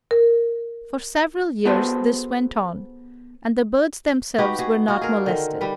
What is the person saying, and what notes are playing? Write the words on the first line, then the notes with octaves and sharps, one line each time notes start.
For several years this went on, and the birds themselves were not molested.
A#4
B3 F#4 G#4 A4 B4 C5
D#4 F#4 G4 B4
F#4 G#4
D#4 F4 F#4
G#4 A#4
D3 D#3
G3 B4